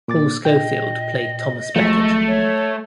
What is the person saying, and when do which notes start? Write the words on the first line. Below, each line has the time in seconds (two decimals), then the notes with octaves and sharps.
Paul Scofield played Thomas Becket.
0.08 A#2 D6 A6
0.45 A#2 D#5 G5
1.76 G#1 F3 F#3 G#3 A3
2.27 C#5